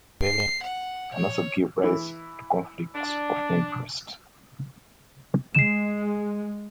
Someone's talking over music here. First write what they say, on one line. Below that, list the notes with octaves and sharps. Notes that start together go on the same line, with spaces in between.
Vereins can also give rise to conflicts of interest.
C7
F#5
C#5
E3 E4
D4
G#3 C7 E7